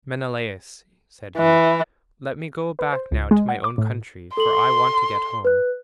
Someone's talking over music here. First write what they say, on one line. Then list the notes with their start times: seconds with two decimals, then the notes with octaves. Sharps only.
"Menelaus," said he, "let me go back now to my own country, for I want to get home."
1.38 E3
2.79 B4
2.93 C5
3.12 C#2
3.31 G#3
3.49 F#5
3.64 D6
3.78 A2
4.37 A4 C6 F#7
5.45 B4 F#6